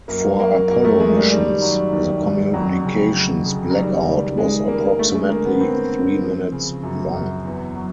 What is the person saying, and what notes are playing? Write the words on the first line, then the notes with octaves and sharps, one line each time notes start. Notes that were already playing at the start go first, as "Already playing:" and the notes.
For Apollo missions, the communications blackout was approximately three minutes long.
F#2 A#3
F#3 A#3
F#2 A#3
A3
F#2 G#3
G3
D#3 G3
F#3
D#2
D#2
F2 F#3
C#3
F#3
C#3
F#3
D#3 G3
C#2
D#3 G#3
C#2 A#3
G2 A3
G#3
D3 A#3
B3
D3 C4
G2
F3
C#3
F#2
F#2
E2
F#3